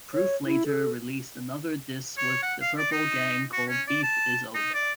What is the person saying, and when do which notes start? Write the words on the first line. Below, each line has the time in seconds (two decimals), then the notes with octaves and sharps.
Proof later released another diss with The Purple Gang called "Beef Is Ova".
0.14 C#5
0.46 E4
0.66 A4
2.18 C#5
2.43 F#5
2.62 F5
2.78 D5
2.92 D#4
3.53 F#4
3.69 C#4
3.88 D5
4.03 A5
4.54 D#4
4.74 D5